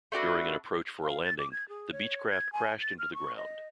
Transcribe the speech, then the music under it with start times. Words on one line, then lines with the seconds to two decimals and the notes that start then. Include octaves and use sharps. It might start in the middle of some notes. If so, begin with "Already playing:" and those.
During an approach for a landing, the Beechcraft crashed into the ground.
0.12 A3 D4 F#4 B4
1.01 F5
1.25 A6
1.38 D6
1.52 G#6
1.68 G#4
1.92 C#5
2.30 G#6
2.52 G#5
2.82 A6
2.99 F6
3.14 C#6
3.36 D#5